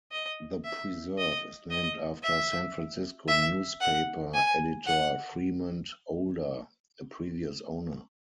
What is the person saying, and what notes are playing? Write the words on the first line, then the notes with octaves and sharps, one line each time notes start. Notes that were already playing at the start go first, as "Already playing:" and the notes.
The preserve is named after San Francisco newspaper editor Fremont Older, a previous owner.
D#5
E5
D#5
D#5
E5
E5
F#5
G#5
F#5